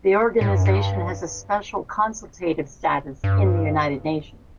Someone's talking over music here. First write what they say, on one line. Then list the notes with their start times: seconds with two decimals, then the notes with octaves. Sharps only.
The organization has a special consultative status in the United Nations.
0.41 A2
0.49 G2
0.58 F#2
0.65 G2
3.24 G2